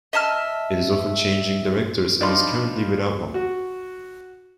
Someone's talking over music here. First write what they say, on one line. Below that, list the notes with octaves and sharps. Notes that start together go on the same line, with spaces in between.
It is often changing directors and is currently without one.
D#5 E5 A5 F6
F3 D4 D#4 F4 B5 C6
F#4